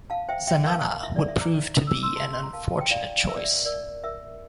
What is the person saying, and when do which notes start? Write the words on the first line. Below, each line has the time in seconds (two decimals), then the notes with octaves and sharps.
Zanana would prove to be an unfortunate choice.
0.10 F5 A5
0.29 C5 E5 G5
0.47 E5 G5
0.66 A#4 F5 A5
1.03 E4 E5
1.16 D5
1.28 E5
1.41 C5 A#5 D6
1.79 A4
1.87 E6
1.94 D6
2.03 C6 E6
2.16 E4 A5 C6
2.33 C6
2.43 A#5
2.53 A#4 F5 A5
2.71 A5
2.81 G5
2.91 E4 D5 F5
3.29 A#4 E5
3.36 D5
3.44 E5
3.66 A#4 D5
4.04 A#4 E5